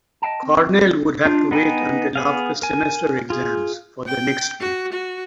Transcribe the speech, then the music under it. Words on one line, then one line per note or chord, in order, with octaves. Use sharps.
Cornell would have to wait until after semester exams for their next game.
D#5 F5 G5 A5
C4
D4 F4
B3 D#4 B4 G5 G#5
B3 G#4 F5
A#4 G#5
F4 G#4
G5
F#4
F#4